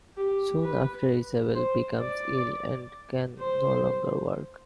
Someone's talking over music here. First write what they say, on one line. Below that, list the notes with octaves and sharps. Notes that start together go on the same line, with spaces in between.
Soon after, Isabel becomes ill, and can no longer work.
G4
B4
C5
D5
C5